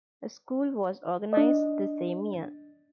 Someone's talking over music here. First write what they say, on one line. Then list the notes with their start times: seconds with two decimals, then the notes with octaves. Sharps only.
A school was organized the same year.
1.33 D4 D#5